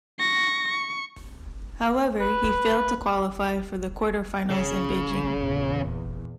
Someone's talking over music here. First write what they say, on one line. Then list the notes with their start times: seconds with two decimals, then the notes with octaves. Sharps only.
However, he failed to qualify for the quarter finals in Beijing.
0.18 C#6 A#6
0.68 C#6
2.19 B4
4.50 C#3
5.36 E2 A#2